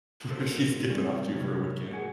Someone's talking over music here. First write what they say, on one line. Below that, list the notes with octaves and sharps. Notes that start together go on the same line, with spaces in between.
who she's skipping off to for a weekend.
F4 F#4 A4 A#4 C5
G3 C4 C#4 D5
C3 F#3 C#4 D#4 C#5
F#4 G#4 F#5 G#5